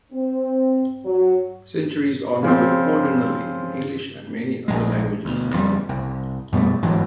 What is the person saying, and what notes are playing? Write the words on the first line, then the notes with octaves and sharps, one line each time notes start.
Centuries are numbered ordinally in English and many other languages.
C4
F#3
C#3 F3 C4
A#1 G#3
D2 B2
F2 C#3 G3
C2
F#2 B2 G3 A3
G1 G#2 E3 F#3